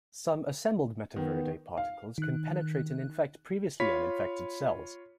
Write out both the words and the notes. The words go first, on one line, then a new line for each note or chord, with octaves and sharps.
Some assembled Metaviridae particles can penetrate and infect previously uninfected cells.
D#3 B3
F5
D#3 F#6
F4 C#5 B5 B6